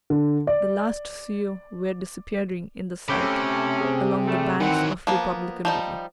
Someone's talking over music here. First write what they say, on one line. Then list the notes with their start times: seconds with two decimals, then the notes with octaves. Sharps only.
The last Sioux were disappearing in the south, along the banks of Republican River.
0.10 D3
0.47 D5
3.08 C3 A3 C#4 B5 D6 G6
3.81 C4 G#4
4.26 G3 A3
4.60 D#3 E3 F#3 C4 F#5
5.07 F3 A#3 B3
5.65 F3 G3 D#4